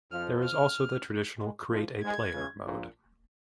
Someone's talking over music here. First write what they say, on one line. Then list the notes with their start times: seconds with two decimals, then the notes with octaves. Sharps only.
There is also the traditional create-a-player mode.
0.11 F2 F3 F6
0.43 F6
1.38 G#2 G#3
1.70 F2 F3
2.02 G#2 G#3 G#6
2.34 C#2 C#3
2.65 A#1 A#2